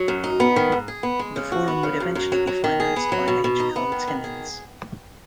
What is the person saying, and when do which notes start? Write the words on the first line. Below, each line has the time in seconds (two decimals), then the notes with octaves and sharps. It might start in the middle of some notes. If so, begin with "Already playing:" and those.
The Forum would eventually be financed by H. L. Timmins.
Already playing: F#3
0.08 F#2
0.24 D#4
0.40 B3
0.56 D#3
0.72 G#2
0.88 G#4
1.03 B3
1.19 G#3
1.36 C#3
1.52 F#4
1.68 B3
1.83 C#3
2.00 F#2
2.15 F#2
2.32 F#3
2.47 F#3
2.64 D#3
2.80 G#4
2.96 B3
3.12 F#3
3.28 B2
3.44 B2
3.60 D#4
3.76 B3
3.92 D#3
4.07 D#3
4.24 G#4